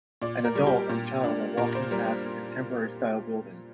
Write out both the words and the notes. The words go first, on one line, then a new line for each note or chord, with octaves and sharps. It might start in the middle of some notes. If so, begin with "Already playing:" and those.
An adult and child are walking past a contemporarystyle building.
A#2 D5
A#4
G3
G4
A#2
D4
A#2 A#4
C5
G3 A#4